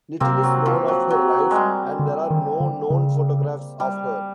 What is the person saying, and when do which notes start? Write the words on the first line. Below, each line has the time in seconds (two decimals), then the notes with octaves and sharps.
Little is known of her life, and there are no known photographs of her.
0.20 C3 A#3 C4
0.43 F#3
0.66 F3
0.88 F#3
1.10 F#3
1.51 G3 G#3
1.99 D3
2.31 D#3
2.60 D3
2.90 C#3
3.80 G3